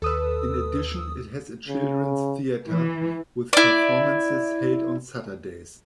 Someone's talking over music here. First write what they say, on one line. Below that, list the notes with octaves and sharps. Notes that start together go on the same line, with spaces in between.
In addition, it has a children's theater with performances held on Saturdays.
D#2 A4 B4 D#6 E6
C#3
E3
E4 D5